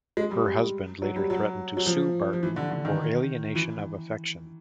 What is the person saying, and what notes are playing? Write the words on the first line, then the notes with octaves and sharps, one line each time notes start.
Her husband later threatened to sue Barton for alienation of affection.
G#3
G3
F#3
G3
F#3
F#3
F3
F3
E3
D3
D3
D#3
E3